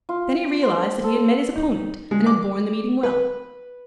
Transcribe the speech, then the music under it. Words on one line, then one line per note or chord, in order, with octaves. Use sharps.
Then he realized that he had met his opponent, and had borne the meeting well.
F4
C5
A4
D#4
G#3
D6
B4